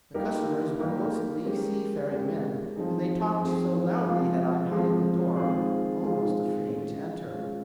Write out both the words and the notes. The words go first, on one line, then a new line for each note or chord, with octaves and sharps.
The customers were mostly seafaring men, and they talked so loudly that I hung at the door, almost afraid to enter.
G3 A#3 D#4 G4 A#4
G3 A#3 D#4 G4 A#4
G#3 C#4 G4 A#4
G#3 C#4 G4 A#4
F3 C4 D#4 G#4
F3 C4 D#4 G#4
F3 G#3 C4 F4 G#4
F3 G#3 C4 F4 G#4
D#3 G#3 C4 F4 G#4
D#3 G#3 C4 F4 G#4
G#3 C#4 F4
G#3 C#4 F4